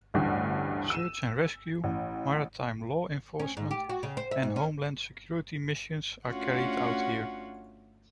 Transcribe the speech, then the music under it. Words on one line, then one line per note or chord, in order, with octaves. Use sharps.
Search and Rescue, maritime law enforcement, and Homeland Security missions are carried out here.
A1 D2 G2
E6 D#7 E7
A1
C#4
G#2
G4
F#4
C#3
C5
E5
G#2
C#4
A3 C#4 D4 F4 F#4 F#5